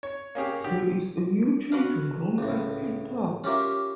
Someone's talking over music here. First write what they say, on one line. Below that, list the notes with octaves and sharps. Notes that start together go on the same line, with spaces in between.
There is a new changing room at Peel Park.
C#5
A#3 C#4 G4 G#4
D3 G4
F#4 B4 F5
C#2 A2
C#4 F4 G4 A#4 E5